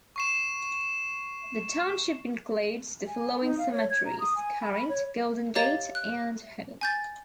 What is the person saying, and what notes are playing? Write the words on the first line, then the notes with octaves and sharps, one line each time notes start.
The township includes the following cemeteries: Current, Golden Gate and Home.
C#6 C7 E7
G#5
D#4
F5
C#5
G#6
A#5
D#6
G#5
B5
B5
C#5
G4 C#5 D#5 F5 A#5 A6
F#6
G#5 G6 A6